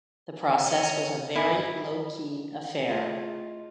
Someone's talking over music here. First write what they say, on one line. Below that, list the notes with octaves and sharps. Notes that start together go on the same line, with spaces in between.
The process was a very low-key affair.
C#4
E4 A#4 G#5
A3 E4 F4 G#4 D#5